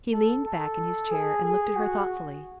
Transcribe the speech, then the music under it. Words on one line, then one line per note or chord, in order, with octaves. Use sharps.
He leaned back in his chair and looked at her thoughtfully.
A4
A4
G#4
G#4
F#4